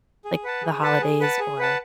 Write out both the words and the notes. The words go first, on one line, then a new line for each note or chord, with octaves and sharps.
like, the holidays or
G#4
B4 F#5 A5
G#4
B4 F#5 A5
G#4
B4 F#5 A5
G#4
B4 F#5 A5